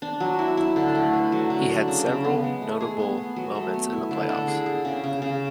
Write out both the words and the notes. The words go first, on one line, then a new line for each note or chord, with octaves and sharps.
He had several notable moments in the playoffs.
D4
F#3
E4
E4
D3
A3
B4
F#3
D3
D4
C#3
C#3
B3
G#3
A3
G#4
B3
B3
F#3
A3
B3
E4
D3
D3
G#4
G#4
C#3
C#3
C#3